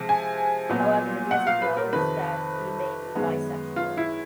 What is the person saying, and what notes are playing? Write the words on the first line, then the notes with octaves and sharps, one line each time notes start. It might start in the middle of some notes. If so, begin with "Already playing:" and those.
However, he has acknowledged that he may be bisexual.
Already playing: C3 F3 G#3
G#5
A#2 F#3 B3
F#5
F5
B4
A#4
F2 C3 D#3 B4
F#2 D#3 G#3 B3
F4
E4